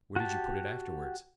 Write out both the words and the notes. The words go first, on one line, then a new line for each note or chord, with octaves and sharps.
"Where did you put it afterwards?"
F#4 G4 A5